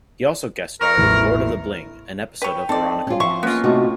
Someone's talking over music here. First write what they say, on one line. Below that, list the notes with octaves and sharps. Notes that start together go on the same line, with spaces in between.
He also guest-starred in "Lord of the Bling", an episode of "Veronica Mars".
A#4 C#6
A1 E2
B4 C#5 G5
C4 D#4 A4 D5
C#4 F4
F3 E4 C6 C#6
G#3 A#3 B3 C#4 F4
A2 C3 A3 D#4 F#4